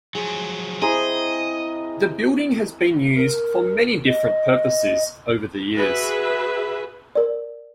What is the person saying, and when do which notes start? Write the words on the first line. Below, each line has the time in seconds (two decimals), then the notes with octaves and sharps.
The building has been used for many different purposes over the years.
0.15 F3 F#3 G#4
0.82 C4 E4 G#4 D#5 A#5 C6
3.17 A#4
4.07 D#5
5.75 F#4 G#4 B4 E5
7.16 A#4 D5